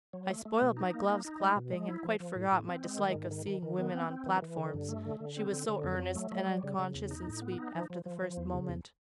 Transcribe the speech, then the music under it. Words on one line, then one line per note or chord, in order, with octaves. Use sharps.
I spoilt my gloves clapping, and quite forgot my dislike of seeing women on platforms, she was so earnest and unconscious and sweet after the first moment.'
F#3
A3
A3
B2
D#4
A#3
D#4
D#4
G#3
B2
G#3
E4
F3
F3
A2
A2
C4
G#3
D#3
G#2
D#3
D#3
D#3
B3
C4
C4
E3
E3
D3
G2
A3
D3
D3
C4
D3
D3
F2
F#3
A3
F#3
G3
C#3
C#3
E2
D#4
A2
B3
D#4
F3
F3
F3
F3
E2
C#3
E2